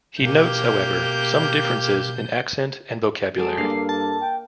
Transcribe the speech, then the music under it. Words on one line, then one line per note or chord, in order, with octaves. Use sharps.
He notes, however, some differences in accent and vocabulary.
B2 A#3 G4 G6
F#3 G#3 A4 D5
G2 A#3 C7
A5
G5